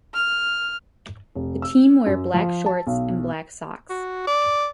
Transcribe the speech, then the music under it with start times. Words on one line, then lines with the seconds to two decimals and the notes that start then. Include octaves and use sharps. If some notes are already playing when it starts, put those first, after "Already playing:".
The team wear black shorts and black socks.
0.13 F6
1.35 F1
1.62 E6
2.06 F#2
2.34 F3
2.66 A5
2.87 B1
3.90 F#4
4.27 D5